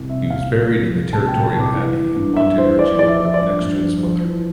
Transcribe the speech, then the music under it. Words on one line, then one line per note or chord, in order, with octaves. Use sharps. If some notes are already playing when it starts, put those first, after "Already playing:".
He was buried in the Territorial Abbey of Montevergine, next to his mother.
Already playing: C2
C3 E5
C2 F5
A#2
C2
F3
C2 A5
G5
A#2
A5
C2
D6
E3
E3
G2
G2 E5
E3 C5
E3 D5
F3 D5
E5
F3 D5
E5
D5
G2
G2
F3
F3
E3